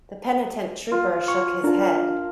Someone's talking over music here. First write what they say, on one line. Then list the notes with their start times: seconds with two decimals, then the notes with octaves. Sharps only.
The penitent trooper shook his head.
0.91 F4
1.28 G#5 C#6
1.64 D4 F4 A#4 A5